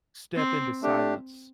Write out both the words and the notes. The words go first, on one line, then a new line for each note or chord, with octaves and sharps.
step into silence,
C4
A3 D4 G4